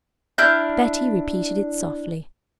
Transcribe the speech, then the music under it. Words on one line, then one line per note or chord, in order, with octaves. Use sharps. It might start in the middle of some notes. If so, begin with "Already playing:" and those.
Betty repeated it softly.
D4 E4 F6 G6